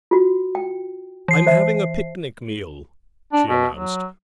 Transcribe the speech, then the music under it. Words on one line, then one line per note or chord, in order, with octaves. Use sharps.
"I'm having a picnic meal," she announced.
F4 F#4
G5
E3 C7
C5 E5
D4
B2
F#3